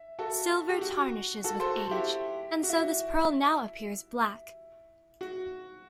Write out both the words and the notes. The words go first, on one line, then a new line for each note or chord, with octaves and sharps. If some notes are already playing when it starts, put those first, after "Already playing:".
Silver tarnishes with age, and so this pearl now appears black.
Already playing: E5
F#4 A4
G4
F#4
F#4 A4
A4 C5
F#4
E4 G4
F#4
E4
F#4